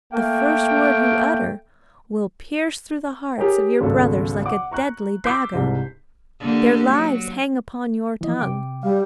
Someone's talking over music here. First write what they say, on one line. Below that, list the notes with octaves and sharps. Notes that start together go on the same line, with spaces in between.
The first word you utter will pierce through the hearts of your brothers like a deadly dagger. Their lives hang upon your tongue.
A3 A#3 G5
G4 G#4 A#4 C#5 G5
G#1 C#2 B2 A4
F#5 D6
A#5 C#6 F#6
D6 E6 G6 B6 C7
C2 G#2 C3
D3 A#3 G4
F#3
E3 F3 D#5
C3 G5 D6
G3 F5